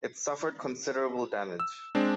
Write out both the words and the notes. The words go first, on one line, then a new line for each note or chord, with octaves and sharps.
It suffered considerable damage.
E6
G#3 C4 D4